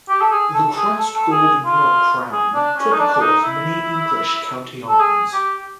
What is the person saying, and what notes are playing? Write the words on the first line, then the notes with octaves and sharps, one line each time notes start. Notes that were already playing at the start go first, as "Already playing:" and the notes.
The crest gold mural crown, typical of many English county arms.
G4
A4
G#4
A4
G#4
A4
A4
G#4
F4
G#4
D4
C#4
D#4
D4
D4
D#4
E4
A4
G#4
G4